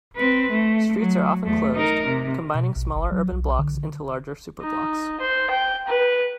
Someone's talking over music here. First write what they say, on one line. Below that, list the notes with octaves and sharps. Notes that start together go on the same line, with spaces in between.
Streets are often closed, combining smaller urban blocks into larger superblocks.
C4 B4
A3
F#3
E2 A3
D#4 A#4
C3
B2
A#1
G1
F#3
B1
D3
D#4
C5
G5
B4